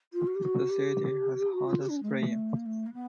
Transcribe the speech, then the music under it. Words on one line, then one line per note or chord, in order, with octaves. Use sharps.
The city has hot springs.
F4
F#4
G4
F#4
G4
F#4
F4
G4
D4
C#4
G#3
A3
A#3
A3
A#3
B3